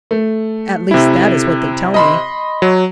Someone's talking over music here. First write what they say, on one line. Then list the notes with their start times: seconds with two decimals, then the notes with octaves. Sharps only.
At least that is what they tell me.
0.11 A3
0.91 C3 E4
1.94 D#5 B5 C6
2.62 F#3